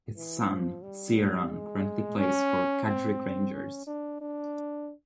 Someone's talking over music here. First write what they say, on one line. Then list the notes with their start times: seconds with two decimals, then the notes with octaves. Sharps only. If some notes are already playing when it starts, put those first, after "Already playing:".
His son Ciaran currently plays for Carrick Rangers.
0.16 E3
0.50 F3
0.83 G3
1.51 G#3
2.18 C#4
2.85 C4
3.53 C#4
3.87 D4
4.21 D4